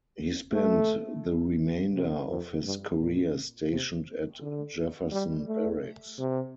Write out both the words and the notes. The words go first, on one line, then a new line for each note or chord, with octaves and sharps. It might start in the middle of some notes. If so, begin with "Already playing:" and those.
He spent the remainder of his career stationed at Jefferson Barracks.
A3
C3
F2
G2
A#2
C3
D3
G3
A3
C3